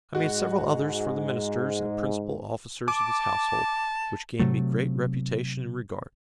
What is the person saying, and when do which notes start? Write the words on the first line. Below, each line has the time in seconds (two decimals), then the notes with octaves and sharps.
I made several others for the ministers and principal officers of his household, which gained me great reputation and regard.
0.15 G#2 G#3 F#4
2.88 A5 D6
4.40 C3 F#3 A3